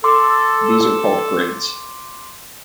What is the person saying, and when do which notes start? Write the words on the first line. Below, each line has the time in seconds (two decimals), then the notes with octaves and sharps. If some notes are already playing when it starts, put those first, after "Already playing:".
These are called grades.
0.04 A4 C6 D6